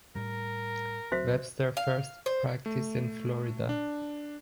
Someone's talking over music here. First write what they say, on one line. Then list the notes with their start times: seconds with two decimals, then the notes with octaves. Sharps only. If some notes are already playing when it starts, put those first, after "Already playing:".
Webster first practised in Florida.
0.15 A2 G3 A#4
1.12 D2 F#3 C4 F#4 C5 E5
1.77 F5
2.26 C5
2.66 A3
3.69 D4